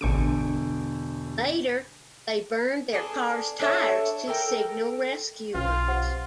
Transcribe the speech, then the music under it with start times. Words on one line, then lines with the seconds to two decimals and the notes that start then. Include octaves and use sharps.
Later, they burned their car's tires to signal rescuers.
0.01 E1 A1 D3 C#6 D7
2.93 B3 D4 G#4 A4
3.60 D4 A4 C#5 E5
4.28 A4 A#4 G5
5.54 B1 C#4 F4 B4 F5
5.88 G4 C5 F#5